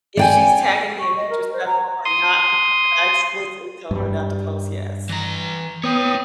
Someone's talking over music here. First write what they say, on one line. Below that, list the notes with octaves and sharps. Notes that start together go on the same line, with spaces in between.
If she's tagging me in pictures that I told her not to post I explicitly told her not to post, yes.
D5 G5 G#5
C#6
D#5
A#4
C5
A#5
C6 D#6
G2 G3
E3 A#5
B3 C#5 G5 D#6